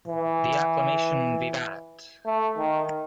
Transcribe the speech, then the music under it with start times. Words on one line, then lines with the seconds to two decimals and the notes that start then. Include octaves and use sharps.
The acclamation Vivat!
0.08 E3
2.26 A3
2.58 D#3